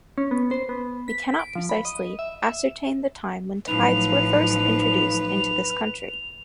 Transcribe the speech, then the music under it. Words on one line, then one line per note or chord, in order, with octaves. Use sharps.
We cannot precisely ascertain the time when tithes were first introduced into this country.
C#4
B3
C5
B3
B6
D7
F3
B5
D#5
E5
E5
A1 F3 F#3 D#4 B4 F7